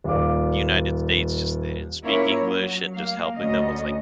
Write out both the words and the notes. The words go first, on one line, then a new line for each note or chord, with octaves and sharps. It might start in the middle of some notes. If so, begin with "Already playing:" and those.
United States, just they didn't speak English and just helping them with, like,
D#1 D5 F5 D6
A#3 C#4 E4 F4 A#4 C#5
F#3
A#3 F5
D2 C#4 D#5